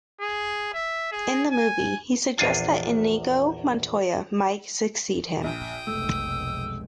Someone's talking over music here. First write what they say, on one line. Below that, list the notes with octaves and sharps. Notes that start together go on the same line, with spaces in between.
In the movie, he suggests that Inigo Montoya might succeed him.
G#4
E5
G#4
G#5
A#1 E2 D4 F4 G#5
A#1 G5 D#6
F1 B1 G#3 A3 E6